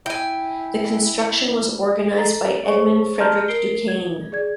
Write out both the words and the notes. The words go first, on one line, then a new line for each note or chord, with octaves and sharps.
The construction was organised by Edmund Frederick Du Cane.
E4 G5 G#5
A4 A#5 A6
G#4 C5 C#5 C#6
A5 A#5 C6 F6 G6
A#4 C7 D7 G7
G#6
G#4 D5 G#6